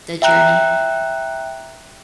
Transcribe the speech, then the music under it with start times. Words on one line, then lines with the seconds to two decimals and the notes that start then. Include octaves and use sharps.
the journey.
0.22 E5 G5 A#5 F#6